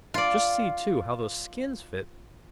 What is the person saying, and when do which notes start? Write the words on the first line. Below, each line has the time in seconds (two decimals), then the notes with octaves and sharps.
Just see, too, how those skins fit!
0.14 F4 D5